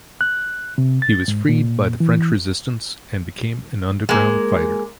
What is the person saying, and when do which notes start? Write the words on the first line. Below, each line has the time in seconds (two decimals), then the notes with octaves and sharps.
He was freed by the French Resistance and became an underground fighter.
0.21 F#6
0.78 C3
1.02 A6
1.28 G#2
1.49 A#2
2.00 E3
4.09 G#3 A#3